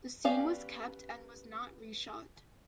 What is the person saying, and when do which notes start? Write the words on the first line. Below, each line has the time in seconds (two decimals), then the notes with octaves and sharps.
The scene was kept and was not reshot.
0.24 B3 C#4 G4 D5 F5